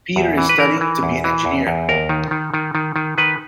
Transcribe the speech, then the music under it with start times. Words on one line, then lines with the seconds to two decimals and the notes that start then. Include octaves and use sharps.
Peter is studying to be an engineer.
0.16 E2
0.38 E3
0.49 B4
0.58 E3 A#4
0.81 E3
1.03 E2
1.24 E3
1.45 E2
1.67 E2
1.89 D#2 A#4
2.09 D#3
2.31 D#3
2.54 D#3
2.75 D#3
2.96 D#3
3.18 D#3 B4